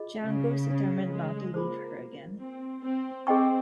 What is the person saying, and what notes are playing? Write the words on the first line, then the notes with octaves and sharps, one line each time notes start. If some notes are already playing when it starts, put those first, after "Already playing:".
Django is determined not to leave her again.
Already playing: F4 G#4 D#5
C#3
C#3
G#3
A#3 F4 G#4 C5
C4
C4
C4 G#4 D#5 G5 C#6